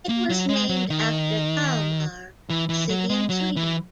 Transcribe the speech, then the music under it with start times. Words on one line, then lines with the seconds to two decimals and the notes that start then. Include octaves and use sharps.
It was named after Kalmar, a city in Sweden.
0.09 A#3
0.30 F#3
0.49 G#3
0.69 F#3
0.90 D#3
2.50 E3
2.69 E3
2.90 F#3
3.09 G#3
3.30 F#3
3.56 E3